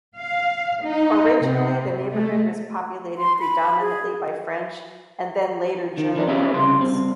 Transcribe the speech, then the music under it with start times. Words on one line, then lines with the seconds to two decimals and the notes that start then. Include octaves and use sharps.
Originally, the neighborhood was populated predominantly by French and then later German immigrants.
0.17 F5
0.84 D#4
1.42 C3
2.12 A3
3.18 C6
3.39 B5
3.80 G#4
5.98 D#3
6.15 D#3 F3 B3 D4 D#4
6.28 C#4 E4 G4 G#4 C#5 F5
6.53 C2 C#3 C6
6.79 G2 C4